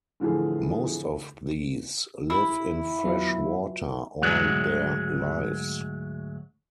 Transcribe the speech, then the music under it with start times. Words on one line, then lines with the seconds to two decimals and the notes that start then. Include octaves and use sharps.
Most of these live in fresh water all their lives.
0.20 A2 D3 E3 F3 G#4
2.30 E4
3.05 F#3 B3 F4
4.22 D2 G#2 F#3 G#3